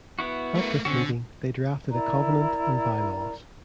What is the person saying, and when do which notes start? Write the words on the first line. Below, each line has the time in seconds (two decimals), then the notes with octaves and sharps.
At this meeting, they drafted a covenant and bylaws.
0.19 B3 E4 F#4
0.55 A3 A#4
0.85 D3 C4 C#4 F#4
1.92 E4 A#4 D5 A#5